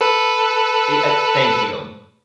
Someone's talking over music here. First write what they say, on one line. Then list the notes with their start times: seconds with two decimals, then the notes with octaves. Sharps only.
eh, uh, thank you.
0.01 A4 B4